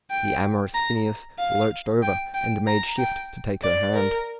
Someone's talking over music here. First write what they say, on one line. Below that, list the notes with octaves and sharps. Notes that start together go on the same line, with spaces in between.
The amorous Phineas lurched over, and made shift to take her hand.
G5
A#5
F5
G5
G5
A#5
G5
D5
A#4